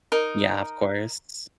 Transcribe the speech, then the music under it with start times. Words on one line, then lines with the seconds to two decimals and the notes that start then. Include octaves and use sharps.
Yeah, of course.
0.12 D#4 A#4 D#5